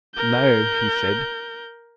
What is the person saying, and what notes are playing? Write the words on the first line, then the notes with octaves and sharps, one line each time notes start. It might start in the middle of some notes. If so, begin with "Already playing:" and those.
"No," he said.
A#4 G6